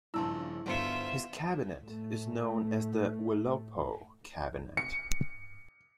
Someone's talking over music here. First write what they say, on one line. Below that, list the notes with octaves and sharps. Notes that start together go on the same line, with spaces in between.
His cabinet is known as the Wilopo Cabinet.
A#1 G2 C#3 F3 E4 A5 C6 E6
G1 B3 F4 F#4 C5 E5 C#7
A2 A3
C#7